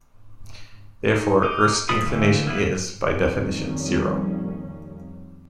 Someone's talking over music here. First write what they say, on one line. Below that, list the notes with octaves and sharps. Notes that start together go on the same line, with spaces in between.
Therefore, Earth's inclination is, by definition, zero.
D#4
D#4 D6
F3 G#3 F4 B5 D#6
D3 E3 A3 A#3
A#3 B3 E4 B4
F2 A#2 D#3 G3 A#3 C#4